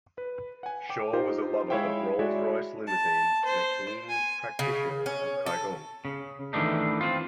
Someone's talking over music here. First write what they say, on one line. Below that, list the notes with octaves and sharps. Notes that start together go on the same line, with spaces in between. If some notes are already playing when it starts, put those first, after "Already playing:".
Shaw was a lover of Rolls-Royce limousines and a keen practitioner of qigong.
B4
F#5 G#5
G5 D6
D#4 F4 G4 C5
G#3 E4 C#5 E5 F5 G5
G#3 E4 F#4 C#5 D5 E5
A5
C5
G#5
C#3
C#4
A4
C#3
D#3 E3 A3 D4 D#4
C4 F4